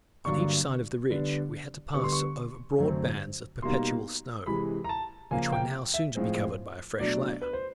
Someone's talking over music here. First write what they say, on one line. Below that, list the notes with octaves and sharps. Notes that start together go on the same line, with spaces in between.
On each side of the ridge, we had to pass over broad bands of perpetual snow, which were now soon to be covered by a fresh layer.
G2 D3 F#3 A#3 D4 C#6
D3 G3 B3 D4
D3 G3 B3 C#6
C6
C#6
F#2 D3 F#3 A3 C4
B2 G3 A#3 D#4 C6
C3 E3 G#3 B5
A#5
A5
C#3 F3 A#3 G#5
G5
E5
A2 F3 G#3 C4
B2 F#3 A3 D4 D5
B4
C5